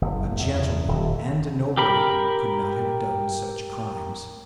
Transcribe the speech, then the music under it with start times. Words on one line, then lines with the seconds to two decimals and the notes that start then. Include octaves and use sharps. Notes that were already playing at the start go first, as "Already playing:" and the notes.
"A gentleman and a nobleman could not have done such crimes."
0.02 F#1
0.39 E2
0.88 D#1
1.77 G4 A#4 B5